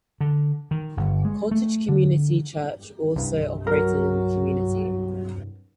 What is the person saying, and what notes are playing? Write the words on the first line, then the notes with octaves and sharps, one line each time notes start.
Cottage Community Church also operated in the community.
D3
D#3
G1
G#3
A3
D3
C2 G2
F#3 A#4